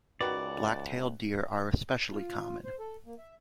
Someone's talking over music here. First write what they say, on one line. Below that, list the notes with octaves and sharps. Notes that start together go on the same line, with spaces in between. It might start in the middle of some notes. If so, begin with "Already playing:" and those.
Black-tailed deer are especially common.
C#2 D#3 F#4 G4 B4 D5 F#5
F4
C5
A4
A#3
E5